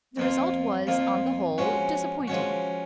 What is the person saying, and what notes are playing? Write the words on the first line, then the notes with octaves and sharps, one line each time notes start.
The result was, on the whole, disappointing.
F2 F3 A#3 F4
F2 F3 A#3 F4
F3 G#3 C#4 F#4
F3 G#3 C#4 F#4